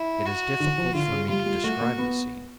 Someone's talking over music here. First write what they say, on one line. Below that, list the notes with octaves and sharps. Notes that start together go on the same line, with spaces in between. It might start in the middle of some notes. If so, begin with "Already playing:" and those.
It is difficult for me to describe the scene.
Already playing: E4
F#4
D3
F3
D3 F4
C#3
G3 F4
G3
A3 F#4
A#3
B3